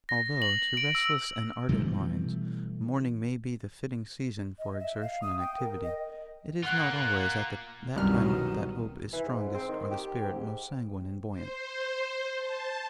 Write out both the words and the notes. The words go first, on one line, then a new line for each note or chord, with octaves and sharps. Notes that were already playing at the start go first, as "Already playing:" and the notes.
Although, to restless and ardent minds, morning may be the fitting season for exertion and activity, it is not always at that time that hope is strongest or the spirit most sanguine and buoyant.
A#6
F#7
D7
E6
B2 E3 G3 A3
D#5
E5
F5
D#6
G5
A#4
D#5
A#3 F4 F#5 F#6
C2 F#2 B2 D#3 F#3 G3 F6
E3
G#2
C4
D#3
G4
G#2
C5
A5